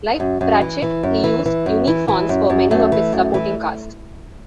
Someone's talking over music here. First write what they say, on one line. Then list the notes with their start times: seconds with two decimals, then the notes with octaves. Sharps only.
Like Pratchett, he used unique fonts for many of his supporting cast.
0.20 F#2
0.41 F#2
0.61 E3
0.82 E3
1.03 F#2
1.24 E3
1.46 E3
1.66 F#2
1.87 E3
2.08 E3
2.29 F#2
2.50 F#2
2.71 F#2 A3
2.92 E3
3.13 F#2
3.34 E3